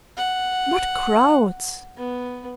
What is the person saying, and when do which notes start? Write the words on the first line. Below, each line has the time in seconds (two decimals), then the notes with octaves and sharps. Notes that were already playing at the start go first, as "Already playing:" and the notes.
What crowds!
0.17 F#5
1.97 B3